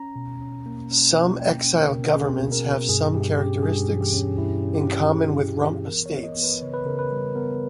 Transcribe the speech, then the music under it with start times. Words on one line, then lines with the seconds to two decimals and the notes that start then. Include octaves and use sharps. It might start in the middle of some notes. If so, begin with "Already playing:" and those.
Some exiled governments have some characteristics in common with rump states.
Already playing: C#4 A#5
0.16 B2
0.41 C#4
0.66 A#3
0.91 C#4
1.15 B2
1.40 A#3 G5
1.65 C#4
1.77 A#4
1.90 B2
2.14 C#4 G#4
2.39 B2
2.52 A#4
2.65 B2
2.89 G2 G#4
3.14 G2 G4
3.38 C#4 G4
3.63 G2 G#4
3.88 E3
4.01 G4
4.14 C#4
4.38 G2 E4
4.63 C#4
4.75 G4
4.88 C#4
5.12 G2 G#4
5.37 C#4
5.63 E3
5.86 B3 A#4
6.06 C#5
6.11 B3
6.23 D#5
6.37 B3
6.43 B4
6.62 C#3 C#5
6.74 B4
6.86 C#3 A#4
6.99 B4
7.11 G3
7.35 B3 A#4